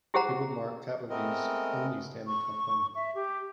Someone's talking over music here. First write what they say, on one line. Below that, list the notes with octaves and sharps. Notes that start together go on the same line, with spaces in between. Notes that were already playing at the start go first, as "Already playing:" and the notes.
It would mark Kaberle's only Stanley Cup win.
E4 G4 G#4 C5 F#5 A#5
G#3 A3 B3 C4 A#4 D#5
C#6
E5
G4